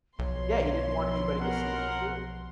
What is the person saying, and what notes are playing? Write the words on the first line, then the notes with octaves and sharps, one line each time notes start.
Yeah, he didn't want anybody to see what he was doing.
B1 B2 F3 C#5 C6
A#4 F#5